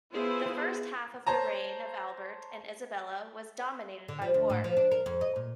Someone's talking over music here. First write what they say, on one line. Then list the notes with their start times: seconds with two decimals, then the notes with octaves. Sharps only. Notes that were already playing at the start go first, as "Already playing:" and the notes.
The first half of the reign of Albert and Isabella was dominated by war.
0.13 B3 E4 F4 G#4 C5
1.27 C5 C#5 A5 A#5
4.08 D3
4.22 F3
4.34 D2
4.50 A2
4.64 F3
4.77 D4
4.91 A#4
5.06 F2
5.21 D#5
5.36 A#2